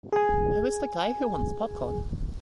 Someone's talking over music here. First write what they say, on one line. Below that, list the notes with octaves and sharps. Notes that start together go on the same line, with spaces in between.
Who is the guy who wants popcorn?
G#4 G#5